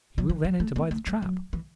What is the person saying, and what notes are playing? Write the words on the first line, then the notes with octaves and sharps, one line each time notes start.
"He will then enter by the trap."
F#3
E3
F#3
A3
B3
A3
G3
F#3
E3